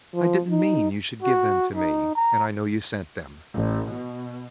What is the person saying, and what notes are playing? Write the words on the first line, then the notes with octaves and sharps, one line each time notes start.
I didn't mean you should give them to me, and I know you sent them.
F3
D#4
F#4
D#4
A#5
A1
B2